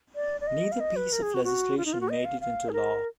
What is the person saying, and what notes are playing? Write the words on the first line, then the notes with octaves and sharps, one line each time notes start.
Neither piece of legislation made it into law.
D5
D5
D#5
F5
D#5
B4
A#4
G#4
F#4
F#4
F4
D#4
F4
F#4
D#5
F5
F5
G#4
A#4